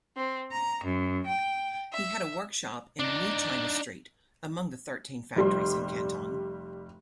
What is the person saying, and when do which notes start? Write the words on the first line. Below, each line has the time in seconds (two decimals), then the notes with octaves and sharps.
He had a workshop in 'New China Street' among the Thirteen Factories in Canton.
0.16 C4
0.52 A#5
0.83 F#2
1.27 G5
1.92 E5
2.99 D4 D#4
5.36 F1 G3 C6